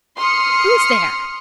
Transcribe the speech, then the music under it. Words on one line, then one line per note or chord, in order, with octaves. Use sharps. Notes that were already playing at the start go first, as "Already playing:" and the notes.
Who's there!
C6 D#6 F6 C#7